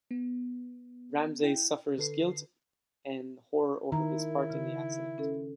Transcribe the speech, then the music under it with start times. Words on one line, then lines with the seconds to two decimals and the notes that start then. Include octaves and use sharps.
Ramsay suffers guilt and horror over his part in the accident.
0.11 B3
1.43 E4 G5
1.98 D3 A4 B4 C7
3.92 D#3 E4 A#5
4.50 C#3
5.18 C#4 A4